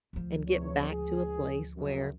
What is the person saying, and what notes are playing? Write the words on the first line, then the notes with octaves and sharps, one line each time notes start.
and get back to a place where
D2 F3
E2 C3 C#5
C#2 G#4
F#2